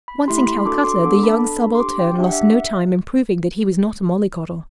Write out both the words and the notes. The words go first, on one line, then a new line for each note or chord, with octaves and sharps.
Once in Calcutta, the young subaltern lost no time in proving that he was not a mollycoddle.
B5
A3 E4 G4 C6
B5
C6
D4 F#4 A4 D6
D6
C6
B3 D4 A4 D6
B5
A5
D4 A4 B5
C6
D4 G4 D6
G5
D4 G4 E5
F#5
E5